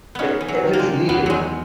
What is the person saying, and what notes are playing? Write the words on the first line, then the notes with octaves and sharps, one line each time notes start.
er, if it's needed.
B3 C#4 D#4
E3
F#3
D#3
A#3
G#3
E2 B3
F#3 G#3